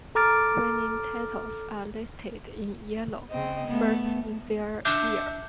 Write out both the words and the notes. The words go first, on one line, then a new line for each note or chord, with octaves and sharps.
Winning titles are listed in yellow, first in their year.
A4 A#5 D6 F6 A6 D7
C#3 C4 D#5
A3 B3
D4 E5 F#5 D6 G6